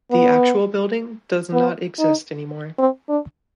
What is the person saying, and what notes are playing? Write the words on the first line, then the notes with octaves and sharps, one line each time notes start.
The actual building does not exist any more.
B3
B3
D#4
C4
D4